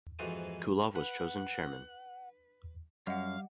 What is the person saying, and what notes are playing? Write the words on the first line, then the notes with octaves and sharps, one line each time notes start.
Kulov was chosen Chairman.
F2 G#2 E3 F#4 C5 D#6
B4 F#5
F#2 G3 D#5 F5 F#5